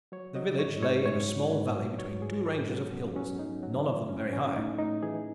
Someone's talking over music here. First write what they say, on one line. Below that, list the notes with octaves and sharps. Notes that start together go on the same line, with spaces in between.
The village lay in a small valley between two ranges of hills, none of them very high.
F#3 C#5
F#3 D#5
G#2 C#5
G#2 C#5
G#2 C#5
F#3
G#2 B4
F#3
F#3 C#5
G#2 G#4
G#2 A4
F#3 C#4
F#3 B3
F#3 C#4
F#3 D#4
F#3 F#4
E3 E4
A2 C#4
E3 C#4
A2 D#4
A2 D#4
E3 G#4